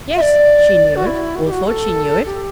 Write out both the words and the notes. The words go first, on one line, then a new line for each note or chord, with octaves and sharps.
Yes, she knew it, or thought she knew it.
E5
D5
F#4
E4
F#4
G4
F#4
A4
G4